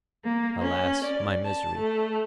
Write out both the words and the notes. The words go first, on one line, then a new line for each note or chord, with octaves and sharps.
'Alas! my misery!
A#3
C#4
D5
A5
A3